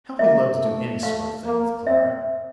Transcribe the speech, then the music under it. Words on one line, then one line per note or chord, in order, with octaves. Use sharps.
How he loved to do any sort of thing with Clara!
A#3 E5
A3
A3 F5
A#3
C4 E5